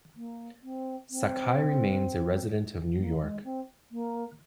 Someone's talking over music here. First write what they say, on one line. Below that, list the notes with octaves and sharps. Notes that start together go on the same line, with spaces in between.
Sakhai remains a resident of New York.
A#3
C4
C4
A#3
G#3
C4
A#3